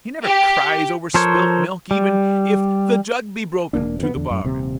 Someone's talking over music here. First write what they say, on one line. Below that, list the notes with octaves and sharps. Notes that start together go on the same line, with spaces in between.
He never cries over spilt milk, even if the jug be broken to the bargain.
G4
F3 A4 A#4 C5 C#5
G3
E1 F#2 A#3 D4
F2 B3
E2 D3
F#2
D#1 C3